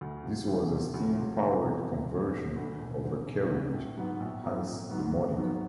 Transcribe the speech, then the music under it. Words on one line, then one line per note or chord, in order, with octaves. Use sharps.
This was a steam-powered conversion of a carriage, hence the moniker.
D2
C3 F3
D2
C3 F3
D2
C3 F3
D2
C3 F3
E1
D2 D3
E1
D2 D3
E1
D2 D3
E1
D2 D3
A#1
G#2 D#3 F#3 B3
A#1
G#2 D#3 F#3 B3
A#1
G#2 D#3 F#3 B3
A#1
G#2 D#3 F#3 B3